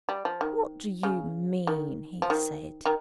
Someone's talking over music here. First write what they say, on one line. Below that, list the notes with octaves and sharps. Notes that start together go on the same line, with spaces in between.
'What do you mean?' he said.
G3
F3
D#3
C#3
D#3
F3
D#3
D#3